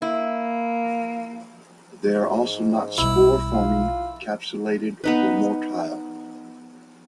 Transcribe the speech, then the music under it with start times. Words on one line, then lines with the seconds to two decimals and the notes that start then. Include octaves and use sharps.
They are also not spore-forming, capsulated, or motile.
0.02 A#3 E4
2.15 G#2
2.98 B1 G3 E4
3.54 F4
5.04 B3 D#4 B4